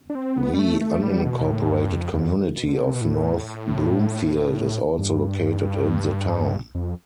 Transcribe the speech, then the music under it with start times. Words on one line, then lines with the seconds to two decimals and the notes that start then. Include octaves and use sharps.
The unincorporated community of North Bloomfield is also located in the town.
0.10 D4
0.15 C4
0.38 B3
0.54 G3
0.59 A3
0.81 A3
1.03 G3
1.25 B2
1.47 A2
1.69 G2
1.91 F2
2.14 F2
2.57 B2
2.69 D3
2.79 C3
2.94 B2
3.01 A2
4.98 G2
6.75 F2